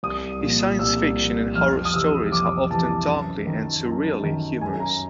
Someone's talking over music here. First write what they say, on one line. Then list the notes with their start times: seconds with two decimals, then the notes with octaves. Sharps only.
His science fiction and horror stories are often darkly and surreally humorous.
0.03 C2 D#6
0.41 A#2 F3
0.79 C2 E6
1.18 A#2 F3
1.55 F2 F6
1.85 D#6
1.94 C3 E3 E6
2.32 F2 D6
2.71 C3 E3 A5
3.09 F#2
3.47 D#3
3.85 F#2
4.23 D#3
4.61 F#2 G#5
4.80 A#5